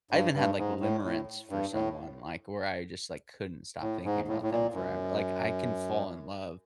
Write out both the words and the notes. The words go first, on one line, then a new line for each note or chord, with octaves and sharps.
I even had, like, limerence for someone, like, where I just, like, couldn't stop thinking about them forever. Like, I can fall in love,
G2
G2
G#2
A2
A2
G2
A2
A2
G#2
A2
A2
A#2
F#2